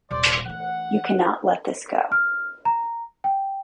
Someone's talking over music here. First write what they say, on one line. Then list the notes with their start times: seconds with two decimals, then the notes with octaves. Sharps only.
You cannot let this go.
0.11 D#1 C3 C5 D5
0.45 E3 A3 F#5
2.12 F6
2.65 A#5
3.24 G5